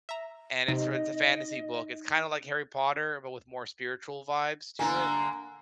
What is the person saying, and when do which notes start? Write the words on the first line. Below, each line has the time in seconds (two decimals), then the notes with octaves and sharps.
and it's for it's a fantasy book, it's kinda like Harry Potter, but with more spiritual vibes to it.
0.09 E5 A#5
0.68 C3 D#4 D#5
4.79 D3 A#3 G#5 A#5